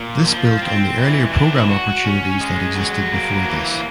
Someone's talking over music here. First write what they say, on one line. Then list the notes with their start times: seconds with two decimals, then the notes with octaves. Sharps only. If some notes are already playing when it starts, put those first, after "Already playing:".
This built on the earlier programme opportunities that existed before this.
Already playing: A#2
0.25 F3
0.62 C4
0.98 E3
1.33 D4
1.69 F#4
2.04 C#4
2.41 G#3
2.76 F#3
3.13 A#3
3.48 E3